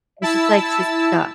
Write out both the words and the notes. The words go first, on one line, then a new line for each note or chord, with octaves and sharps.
It's just like she's stuck.
E4 A5 E6